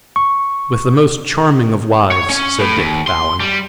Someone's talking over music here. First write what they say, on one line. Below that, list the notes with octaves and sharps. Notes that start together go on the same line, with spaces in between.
"With the most charming of wives," said Dick, bowing.
C#6
C#5
C#4
A2
D#2
C6
G3